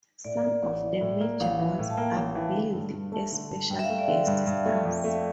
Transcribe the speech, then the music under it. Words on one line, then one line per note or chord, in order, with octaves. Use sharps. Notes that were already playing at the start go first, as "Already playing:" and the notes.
Some of the major ones are billed as special guest stars.
A2 D5
A#3
A1
E3
A2
A#3
A1 F5
E3
A2
A5
A#3 G5
A1
E3
D3
G2
G2
A3 A5
D3
G2
G2 G5
E5
F5
A3
D5
D3
F5
G2
G2
A3
F2
A3